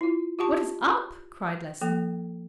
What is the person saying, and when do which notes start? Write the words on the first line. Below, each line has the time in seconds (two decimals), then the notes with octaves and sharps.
"What is up!" cried Leslie.
0.01 E4 F4
0.39 F4 G4 F#5 A5 C#6
1.81 F3 A#3 A4 G5